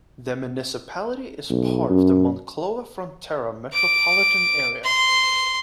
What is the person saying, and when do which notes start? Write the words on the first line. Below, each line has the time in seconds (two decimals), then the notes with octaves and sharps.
The municipality is part of the Monclova-Frontera metropolitan area.
1.50 B1
1.90 F#2
3.73 D6
4.84 C6